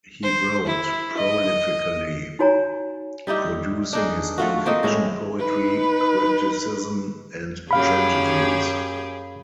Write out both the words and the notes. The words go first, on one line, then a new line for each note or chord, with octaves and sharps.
He wrote prolifically, producing his own fiction, poetry, criticism, and tragedies.
C5
E4
D#5
D#4 F#4 C#5 G#5 A#5
G3 D#4 E4 G4
D4 D#4 G#4
A3 F4 F#4
A#3 C4 D#4 D#5
A2 G#3 E4
D#4 B4
F#2 G4 G#4 F5 B5